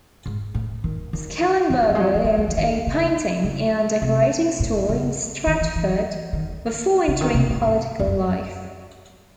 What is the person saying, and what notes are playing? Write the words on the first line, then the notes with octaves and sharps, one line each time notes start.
Schellenberger owned a painting and decorating store in Stratford before entering political life.
G#2
A2
D#3
D#3
E3
A3
F#3
G#3
F#3
E3
F#3
E3
F#3
E3
D#3
C#3
C#3
C3
A2
C#3
D#3
E3
E3
D#3
C#3
D#3
C3
G#2
E2
F#2